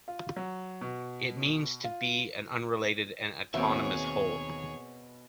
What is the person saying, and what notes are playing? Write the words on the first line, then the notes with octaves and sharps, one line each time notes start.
It means to be an unrelated and autonomous whole.
F4
F#3
B2
F4
D#2 B2 C4 G#4 C#5 E5